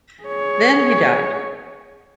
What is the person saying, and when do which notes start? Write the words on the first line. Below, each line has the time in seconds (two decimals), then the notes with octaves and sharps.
Then he died.
0.23 G#4 C#5